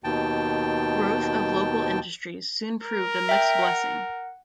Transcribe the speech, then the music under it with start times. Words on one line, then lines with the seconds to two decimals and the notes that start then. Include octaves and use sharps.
Growth of local industries soon proved a mixed blessing.
0.04 D#2 B2 G5 A5
2.83 A#4
3.29 E5 G5
3.62 F#5